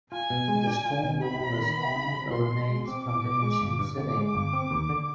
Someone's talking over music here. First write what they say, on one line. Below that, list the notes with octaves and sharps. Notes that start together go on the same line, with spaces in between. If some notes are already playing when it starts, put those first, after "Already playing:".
The stone wall is all the remains from the ancient city.
F4 G#5
B2
G#3
D4
F4
B2
D#4 B5
C3
D#3
B3
D#4
C3
B2 C6
B2
G#3
C4 D6
B2
B2
G#3
G1
G2
D3 D6
G#3
G1
C4
D#2
D3